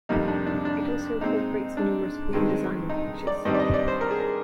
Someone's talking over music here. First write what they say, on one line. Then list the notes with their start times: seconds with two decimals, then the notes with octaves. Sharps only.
It also incorporates numerous green design features.
0.09 F2 C3 G3 A#3 D#4
0.28 D4
0.46 D4
0.65 D4
1.21 A#2 G#3 C4 D#4
1.77 D4
2.33 G2 D#3 G#3 C4
2.89 D#4
3.27 D5
3.45 G2 D#3 G3 C4 D#5
3.54 D5
3.59 D#5
3.74 D5
3.88 C5
4.01 A#4
4.11 G#4
4.19 A#4